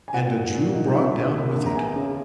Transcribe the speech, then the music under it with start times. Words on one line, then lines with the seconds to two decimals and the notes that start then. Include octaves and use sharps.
'And a Jew brought down with it!
0.08 G#5
0.14 A#2 F#5
0.34 A#2
0.55 A#2
0.74 D#4
0.94 A#1 E5
1.15 A#1
1.35 A#3
1.55 A#1
1.66 A#5
1.75 B3 G#5
1.96 C#3